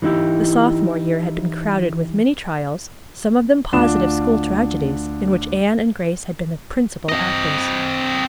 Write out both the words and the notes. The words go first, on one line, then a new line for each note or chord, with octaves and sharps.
The sophomore year had been crowded with many trials, some of them positive school tragedies, in which Anne and Grace had been the principal actors.
E3 F#3 D#4 E4 G4
D2 D4 F4 E7
C4 D#5